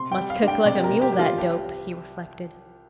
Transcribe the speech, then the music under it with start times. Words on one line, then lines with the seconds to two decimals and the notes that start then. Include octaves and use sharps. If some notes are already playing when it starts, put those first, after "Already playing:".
"Must kick like a mule, that dope!" he reflected.
Already playing: C3 C6
0.12 G5
0.18 G3
0.30 F5
0.42 D4
0.48 G5
0.65 C3 D5
0.75 G4
0.84 A#4
0.90 C3
1.02 G4
1.13 G3 G4
1.19 F4
1.37 C2 G4